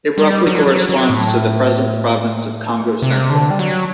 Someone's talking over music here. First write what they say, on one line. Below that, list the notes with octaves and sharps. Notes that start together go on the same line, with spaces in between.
It roughly corresponds to the present province of Kongo Central.
G3
F#3
F#3
F#3
A2
C3
D3
G3
F#3